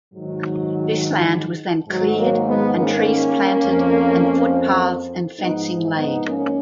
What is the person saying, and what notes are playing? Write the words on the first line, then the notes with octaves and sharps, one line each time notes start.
This land was then cleared and trees planted and footpaths and fencing laid.
G#2 D#3 F#3
G#2 D#3 F#3
F#3 A#3
G#3 B3
A#3 C#4
F2 F3
G#2 F3 B3 D#4
B3 D#4
A#3 C#4